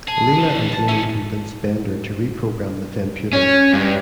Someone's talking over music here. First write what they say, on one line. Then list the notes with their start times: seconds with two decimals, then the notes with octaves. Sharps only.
Leela and Amy convince Bender to reprogram the Femputer.
0.08 G#4 A5
0.39 E3 F3
0.72 A5
0.89 C#4 D#4 E4
3.33 C#4
3.73 G2